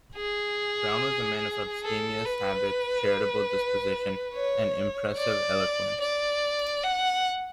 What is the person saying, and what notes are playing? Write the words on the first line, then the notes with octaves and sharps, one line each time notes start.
Browne was a man of abstemious habits, charitable disposition, and impressive eloquence.
G#4
A4
B4
C#5
D5
D5
F#5